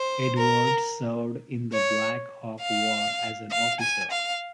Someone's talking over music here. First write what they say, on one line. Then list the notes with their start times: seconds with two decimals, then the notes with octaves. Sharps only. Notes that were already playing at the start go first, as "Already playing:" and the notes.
Edwards served in the Black Hawk War as an officer.
Already playing: C5
0.38 A#4
1.73 C#5
2.61 F5
3.51 F5
3.81 G#5
4.11 F5